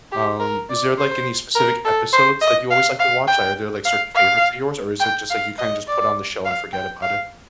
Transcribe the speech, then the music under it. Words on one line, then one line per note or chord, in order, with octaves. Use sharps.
Um, is there, like, any specific episodes that you always like to watch, like, are there, like, certain favorites of yours, or is it just, like, you kinda just put on the show and forget about it?
G4
A#4
D5
C5
A#4
A4
C5
D#5
F5
F5
G5
F5
F5
G5
F5
D#5
D5
F5
G5
F5